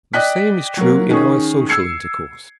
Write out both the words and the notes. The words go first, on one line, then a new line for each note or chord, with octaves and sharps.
The same is true in our social intercourse.
D5 D#5 G5 F#6 B6
F#3 A#3
D#3 C#4 G#4
E6 G#6 C7 C#7